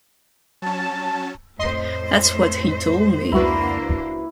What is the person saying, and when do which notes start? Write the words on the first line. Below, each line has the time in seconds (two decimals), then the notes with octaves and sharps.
That's what he told me.
0.62 F#3 C#4 A5
1.59 F2 A2 C5 D#5 C6
3.32 C#2 A#3 D4 E4 F#4 B4 C5